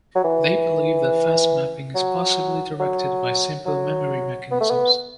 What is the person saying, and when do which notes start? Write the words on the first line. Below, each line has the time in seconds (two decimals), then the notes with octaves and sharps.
They believe that fast mapping is possibly directed by simple memory mechanisms.
0.15 F#3
0.24 E3
1.95 F#3
2.80 F#3
3.66 F#3
4.51 B3
4.61 A3
4.70 B3